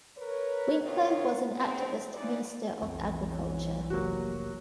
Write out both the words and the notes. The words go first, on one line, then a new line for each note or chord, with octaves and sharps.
Winkler was an activist Minister of Agriculture.
A#4 B4 C#5
C3 D#3 F4 C#5
G#2 B2 C4
E3 D#4 B4 D5
B1 F2 E3
C#5
F1 F#3 A#3 F#4 G4